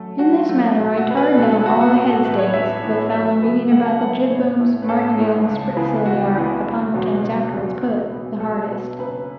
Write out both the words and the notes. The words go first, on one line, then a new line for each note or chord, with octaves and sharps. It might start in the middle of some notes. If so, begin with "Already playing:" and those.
In this manner I tarred down all the head-stays, but found the rigging about the jib-booms, martingale, and spritsail yard, upon which I was afterwards put, the hardest.
Already playing: F#2 F#3 A3 A4
F#2 F#4
F#3 A3
B1
F#4
B2 B3
B4
B1 A4
A4
B2 B3 F#4
F#4
A1 F#4
A4
A2 E3 B3 B4
C#5
A1 E5
A2 E3 B3
F#2 E5
C#3 F#3 B3
F#2 F#5
A5
C#3 F#3 B3 F#5
A1 C#5
A2 A3
B4
A1 A4
A2 A3
C#2
C#3 E3 B3
C#2 F#4
C#3 E3 B3
E1
E2 B2 F#3
E1
E2 B2 F#3
B1
B2 B3
B1 A4
B2 B3
F#1 B4